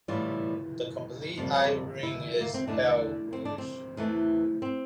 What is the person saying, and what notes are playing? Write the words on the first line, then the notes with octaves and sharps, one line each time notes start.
The complete eye-ring is pale bluish.
A2 E3 G3 F4
F2 C3 G3 A#3 F4
E4
A#3
C4
E2 D3 A3 D4
C4
D4
C4
E2 E3 A3
C4